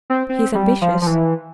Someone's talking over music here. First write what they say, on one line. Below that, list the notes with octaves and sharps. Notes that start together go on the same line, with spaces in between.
"He is ambitious."
C4
C4
G3
F3
F3
E3